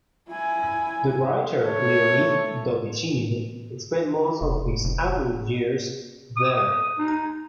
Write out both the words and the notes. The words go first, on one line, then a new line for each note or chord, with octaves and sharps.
The writer Leonid Dobychin spent most of his adult years there.
E4 G#5
A3 C#5
F1
F1
D#6
D#4